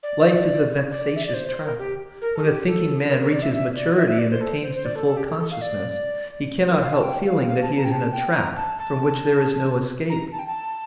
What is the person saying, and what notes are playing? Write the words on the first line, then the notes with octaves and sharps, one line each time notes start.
Life is a vexatious trap; when a thinking man reaches maturity and attains to full consciousness he cannot help feeling that he is in a trap from which there is no escape.
D5
D5
E5
D5
C5
C5
A#4
G4
A#4
A4
G4
A4
A#4
A#4
D5
E5
E5
D5
E5
E5
D5
C5
A4
C5
C5
D5
A4
A4
G4
A4
A4
F5
D5
C5
A#4
F5
A5
G5
F5
F5
A5
A#5
G5
A5
G5
A#5
A5
A5
A#5
A5
G5
A5